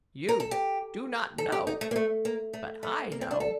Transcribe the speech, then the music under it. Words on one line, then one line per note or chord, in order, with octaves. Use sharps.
You do not know; but I know.
A#4
A4
G4
A4
G4
D#4
A3
A#3
A3
A#3
A3
A3
A#3
C4
D4
A4